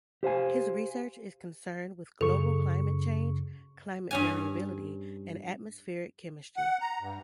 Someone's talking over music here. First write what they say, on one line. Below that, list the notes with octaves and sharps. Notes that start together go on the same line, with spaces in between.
His research is concerned with global climate change, climate variability, and atmospheric chemistry.
G4 C5 F5 G#5
F#2 C#3 A4 C#6
G2 C#4 G#5
F#5
A#5
G2